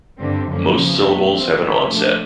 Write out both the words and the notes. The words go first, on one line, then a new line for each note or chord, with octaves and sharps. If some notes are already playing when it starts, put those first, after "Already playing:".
Most syllables have an onset.
G2 D3 G3 C4
F#2 D3 F3 A#3 C#4
E2 C#3 F3
B2 F#3 A3
E3 G3 C4
A#2 G3 B3 E4 G#4
A#2 F3 A3 D4